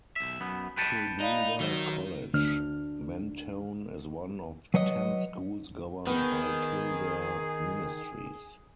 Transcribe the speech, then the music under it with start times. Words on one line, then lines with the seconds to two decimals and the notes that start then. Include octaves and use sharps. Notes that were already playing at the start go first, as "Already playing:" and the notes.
Kilbreda College, Mentone is one of ten schools governed by Kildare Ministries.
0.16 B1 E5
0.40 F#2 B3
0.77 B4 G5 A5 B6 C#7 D#7
1.20 D#4 D5 F5 B5
1.60 D#3 F#3 G7
2.34 D2 D4 F6
4.74 F#3 B4 C#5 D#5
6.07 D#3 B3 G#4